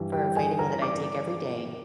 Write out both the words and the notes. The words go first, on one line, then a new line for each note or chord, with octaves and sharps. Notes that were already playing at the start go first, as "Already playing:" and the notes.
for a vitamin that I take every day,
Already playing: G2 E3 G3
G4 G5
G#4 G#5
A#4 A#5
D5 D6